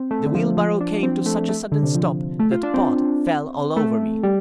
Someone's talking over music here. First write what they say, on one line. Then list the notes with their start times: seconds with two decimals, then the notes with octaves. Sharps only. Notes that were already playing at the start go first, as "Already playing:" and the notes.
The wheelbarrow came to such a sudden stop that Pod fell all over me.
Already playing: C4
0.11 A3
0.26 D3
0.35 F3
0.57 F3
0.81 D4
1.03 C4
1.26 A3
1.49 A3
1.72 D3
1.83 C3
1.95 F3
2.40 A3
2.52 F4
2.63 D4
2.74 C4
3.77 A3
4.23 G3